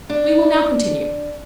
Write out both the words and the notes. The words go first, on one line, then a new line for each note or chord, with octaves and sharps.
We will now continue.
D4